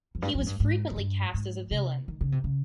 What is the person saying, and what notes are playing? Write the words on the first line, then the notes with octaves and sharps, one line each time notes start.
He was frequently cast as a villain.
F2
G2
F2
G#2
G2
G#2
G#2
G2
G#2
C3
D#3
C#3
C3
C#3